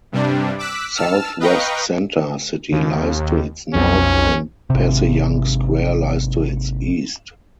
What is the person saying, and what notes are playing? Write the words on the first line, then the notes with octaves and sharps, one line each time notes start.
Southwest Center City lies to its north, and Passyunk Square lies to its east.
G2 C3 G3 D4
D6 E6 F#6 B6
A5 E6 F6
B4 D#5 F5 G5 A#5 C#6
D#2
B1 F2 C#4
G#1 C3